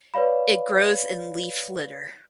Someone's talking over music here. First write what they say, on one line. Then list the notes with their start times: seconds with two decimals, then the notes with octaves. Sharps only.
It grows in leaf litter.
0.14 B4 C#5 D5 F5 B5